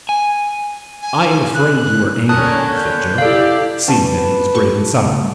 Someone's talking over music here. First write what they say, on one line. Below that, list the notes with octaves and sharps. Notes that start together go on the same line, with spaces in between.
"I am afraid you are angry," said Joe, seeing that he was grave and silent.
G#5
G#5
F#6
D3 C#4 A#4 A5 D#6 F#6
G6
E4 G4 A4 D5 F5
C#4 B4 A5 D6
G4 A4 C#6
C#3 G3 A3